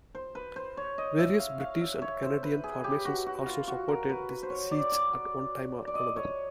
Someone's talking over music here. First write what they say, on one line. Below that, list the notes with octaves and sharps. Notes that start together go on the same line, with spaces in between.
Various British and Canadian formations also supported the siege at one time or another.
C5
B4
C5
C#5
D#5
E5
F5
F5
E5
C#5
C5
B4
G#4
G4
F#4
F#4
F4
F#4
A#4
B4
B4
C5
C#5
D5
D5
D5
D#5
C#5